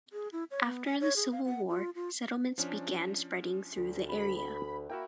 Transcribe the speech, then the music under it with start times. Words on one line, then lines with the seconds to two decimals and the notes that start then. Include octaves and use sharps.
After the Civil War, settlements began spreading through the area.
0.13 G#4
0.32 E4
0.51 C#5
0.64 B3
0.86 G#5
1.01 C#5
1.16 G#4
1.32 F5
1.45 F#5
1.69 F4
1.95 F4
2.58 F3 C#4 D4
3.76 D2
4.09 B5
4.90 A#3 E4 F#4 A#4 G5